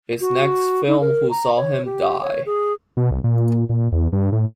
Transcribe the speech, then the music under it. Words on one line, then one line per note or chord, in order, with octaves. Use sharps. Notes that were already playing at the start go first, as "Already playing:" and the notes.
His next film Who Saw Him Die?
F#4
D#4
A#4
A#5
C#5
G4
C#5
G#4
B2
C2
A#2
A#2
E2
G2
A2